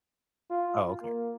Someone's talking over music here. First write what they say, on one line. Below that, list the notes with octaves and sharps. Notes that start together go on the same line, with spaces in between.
Oh, okay.
F4
A#3